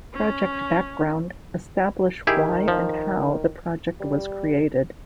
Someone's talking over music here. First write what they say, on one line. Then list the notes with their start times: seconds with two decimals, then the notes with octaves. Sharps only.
Project Background establish why and how the project was created.
0.13 C#4
2.27 D#3 E4 G4 G#4
2.68 F3
4.00 G3